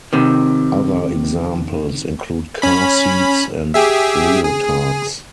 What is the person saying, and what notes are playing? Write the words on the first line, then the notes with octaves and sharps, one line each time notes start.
Other examples include car seats and leotards.
C3 D#3
C#4 B5
G4 G#4 E5
G#4